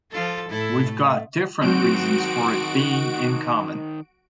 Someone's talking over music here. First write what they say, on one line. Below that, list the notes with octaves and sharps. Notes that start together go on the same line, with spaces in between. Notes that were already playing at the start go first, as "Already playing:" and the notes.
We’ve got different reasons for it being in common.
F3 F4 A4
A2 E4 A4
A3
D#3 F#3 C4 F#4 C5 D7